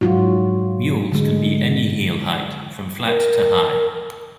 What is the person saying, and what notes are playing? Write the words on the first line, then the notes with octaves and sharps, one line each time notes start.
Mules can be any heel height - from flat to high.
G#2 F#3 F4 F#4
D3 G#3
A#4